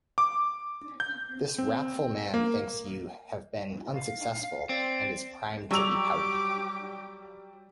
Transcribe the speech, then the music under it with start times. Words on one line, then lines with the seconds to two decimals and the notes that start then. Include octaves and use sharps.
This wrathful man thinks you have been unsuccessful, and is primed to be pouty.
0.18 D6
1.00 G6
1.58 C4
2.34 A#3
3.94 F5
4.69 C4 D5
5.71 F#3 G3 G4 D6 E6 F7